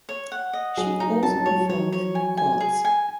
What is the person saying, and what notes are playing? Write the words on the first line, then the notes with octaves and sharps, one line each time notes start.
She also performs and records.
C#5
F#5
D#5
F#3 G#4
F#3 D#4
F#3 A5
F#3
F#3 C#5
F#3
F#3 C#5
C#5
G#5
G#5
G#4
G#5